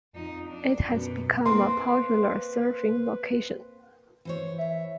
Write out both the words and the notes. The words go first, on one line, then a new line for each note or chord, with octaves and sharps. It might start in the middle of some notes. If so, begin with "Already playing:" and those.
It has become a popular surfing location.
F2 D#4
D4
F#2 B2
A#3 C4 B4 C6
E3 C5 C#5
E5